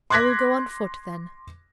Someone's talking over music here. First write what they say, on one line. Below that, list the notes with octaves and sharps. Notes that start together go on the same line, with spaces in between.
"I will go on foot, then."
C6 D6 F#6 G#6 A#6 B6